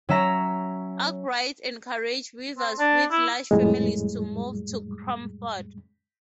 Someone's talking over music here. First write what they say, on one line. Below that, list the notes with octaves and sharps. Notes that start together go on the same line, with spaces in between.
Arkwright encouraged weavers with large families to move to Cromford.
F#3 C#4 E5 A#5 A#6
C4
D4
E4
F2 A2 G3 G#3